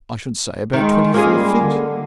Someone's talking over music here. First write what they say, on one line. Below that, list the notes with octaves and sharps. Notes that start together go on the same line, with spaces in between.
"I should say about twenty-five feet?"
D#3 G#3
A#3 C#4 F4 G#4
G3
D3